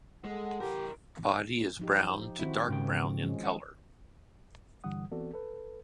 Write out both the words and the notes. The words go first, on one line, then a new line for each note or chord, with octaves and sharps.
Body is brown to dark brown in color.
G#3 A4 F#5
E4 G4 A#4
F3 D#4 G4
D#3 C4 E4 F#4
G#2 C#3 G5
F3 G#3 C#4
F#5
G2 D3 E3 G3 F#5 D#6
E3 B3 C4 F#4 A4 D5
A4 B4